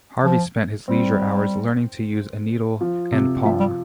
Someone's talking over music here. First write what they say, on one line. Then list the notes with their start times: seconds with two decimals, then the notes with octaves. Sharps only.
Harvey spent his leisure hours learning to use a needle and palm.
0.23 F3
0.88 G3 C4
2.81 F3
3.12 C3
3.44 F3 A3
3.60 G3